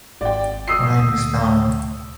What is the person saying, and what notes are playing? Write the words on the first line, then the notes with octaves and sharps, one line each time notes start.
Crime is down.
G#1 D5 G5
D#6 E6 C7
D2